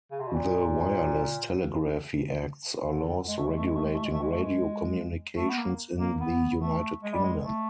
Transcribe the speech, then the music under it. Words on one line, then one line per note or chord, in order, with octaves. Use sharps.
The Wireless Telegraphy Acts are laws regulating radio communications in the United Kingdom.
C#3
C3
B2
A#2
D3
G#3
A3
G#3
A3
G#3
A3
G#3
A3
G#3
A3
G#3
A3
G#3
A3
B3
A#3
A#3
B3
A3
G#3
G3
G#3
A3